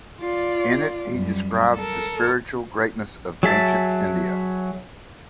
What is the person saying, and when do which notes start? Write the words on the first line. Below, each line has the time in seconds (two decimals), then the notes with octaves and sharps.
In it he describes the spiritual greatness of Ancient India.
0.21 F4 D5
1.12 F#2 G3
1.76 A4 A#4
3.43 F#3 G#4 E5 A5